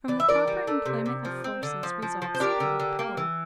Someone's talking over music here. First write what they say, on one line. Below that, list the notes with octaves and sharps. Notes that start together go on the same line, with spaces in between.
From the proper employment of forces results public power.
E3 D5
E5
E3 A#4 D5
G3
A3
C3
C3
F3
C4
D3
F3
F3
F3
C5
D4 G4 A#4
D3
D3
A#3
E3